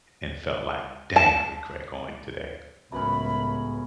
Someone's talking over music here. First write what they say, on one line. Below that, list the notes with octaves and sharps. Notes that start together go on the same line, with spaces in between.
and felt like, "Dang, I regret going today."
A5
C#2 F#2 A2 B3 C#4 B5